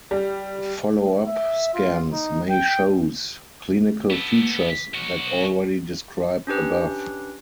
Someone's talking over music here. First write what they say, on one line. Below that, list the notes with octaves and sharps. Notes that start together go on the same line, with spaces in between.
Follow up scans may shows clinical features that already described above.
G3
E5
F4
D#4
G5
B3 A4
B1 F#4
C#4 D4 G4 B4